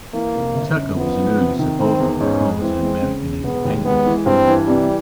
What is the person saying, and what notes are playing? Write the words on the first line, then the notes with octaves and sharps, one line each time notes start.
Tucker was an early supporter of the cause of American independence.
E3 A#3
F1
G1
F#2
F3 B3
F3
C3
D#3
D#3 C4
E2
G#2 C#4
G#3
E3 C4
G#3
C#3
E1
E1 B3
D#2
G#3 B3
E3
G2 C4
E3
C3 G3